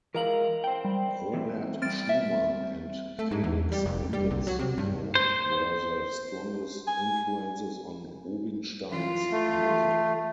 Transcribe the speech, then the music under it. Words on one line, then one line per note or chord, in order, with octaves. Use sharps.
Robert Schumann and Felix Mendelssohn were the strongest influences on Rubinstein's music.
E3 G#3 A#4 F5 A#5 F#7
C5 G5
G3
E3 C4
G3 C4 F6 A6 D7
E5
A3
G#2
E2
G3
F1
G3
C2
F#3
C3
G2
C5
G#5
E3 F4
A3